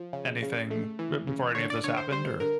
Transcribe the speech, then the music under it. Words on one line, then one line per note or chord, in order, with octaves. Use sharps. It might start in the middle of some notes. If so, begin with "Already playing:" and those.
anything b before any of this happened or
Already playing: F3
C#3
C#3
A3
E3
C#3
D3 C#5
D5
D3 C#5
C5
G3 C5
D3 A#4